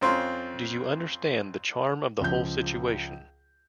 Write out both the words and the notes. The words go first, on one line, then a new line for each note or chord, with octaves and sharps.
Do you understand the charm of the whole situation?
F2 C4 C#4 F4
C#2 F3 G6